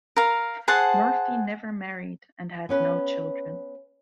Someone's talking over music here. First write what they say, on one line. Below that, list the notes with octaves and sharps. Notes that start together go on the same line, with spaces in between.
Murphy never married and had no children.
A#4 F5
G#4 C5 F#5 A5
B3 C#4 B4